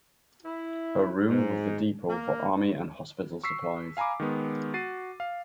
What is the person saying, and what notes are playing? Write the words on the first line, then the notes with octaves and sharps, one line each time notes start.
Her room was the depot for army and hospital supplies.
E4
G#2
A#3
C#6 E6 B6 C7
F5 G#5 A#5 B5 D6
D#3 G#3 B3
F#4 A6 C7 D#7
F5